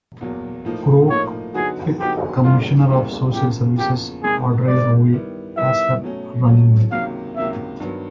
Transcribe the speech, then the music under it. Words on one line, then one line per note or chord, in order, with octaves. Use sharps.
Groark picked Commissioner of Social Services Audrey Rowe as her running mate.
E2 B2 F#3 A#3
A2 F3 A#3 D#4
A2 F3 A#3 D#4 C#5
D3 F#3 B3 D#4 F#4 G#4
D3 F#3 B3 D#4 F#4 G4
E2 C#3 E3 G3 A#3 F4
E2 C#3 E3 G3 A#3
E2 C#3 F3 A#3 G4
E2 C#3 F3 A#3 G4
C3 D#3 G#3 G#4
C3 D#3 G#3 D5
D#3 G3 B3 E4
D#3 G3 B3 E4 E5
B2 F#3 A3 C#4
B2 F#3 A3 C#4
C#2 C3 D#3 F#3 A#3 F5
C#2 C3 D#3 F#3 A#3 E5
G2 D#3 F#3 B3